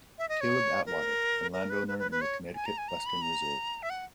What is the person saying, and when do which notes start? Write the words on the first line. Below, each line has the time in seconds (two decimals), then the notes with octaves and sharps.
Caleb Atwater, a landowner in the Connecticut Western Reserve.
0.18 E5
0.29 D#5
0.41 C#5
0.86 A#4
1.53 A#4
1.70 B4
1.88 B4
1.99 B4
2.11 B4
2.21 C#5
2.55 G#5
2.66 A#5
2.78 G#5
2.88 A#5
3.06 B5
3.22 A#5
3.83 E5
3.90 F#5